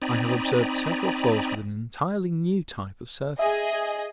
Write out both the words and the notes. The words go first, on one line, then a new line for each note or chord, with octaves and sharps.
I have observed several floes with an entirely new type of surface.
C4 D#4 D5 G#5 A#5 B5
G#4 D#5 E5